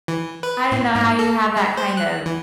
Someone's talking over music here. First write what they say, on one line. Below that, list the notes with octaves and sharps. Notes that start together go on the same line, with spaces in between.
I don't know how you have that kind of
E3
B4
A2
G#2
A4
G#3
C5
F#6
E3